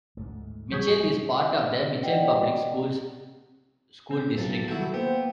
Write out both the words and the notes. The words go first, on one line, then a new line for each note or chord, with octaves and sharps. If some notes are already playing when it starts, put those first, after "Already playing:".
Mitchell is part of the Mitchell Public Schools School District.
D2 G#2 A3
F#3 G3 G#4 C#6 G6 B6
D5 D#5 F#5 G5
C4 G6
B1 A4 A5
D#3 F#3 G3 E4 F#4 A4
A#3 B3 C5 G5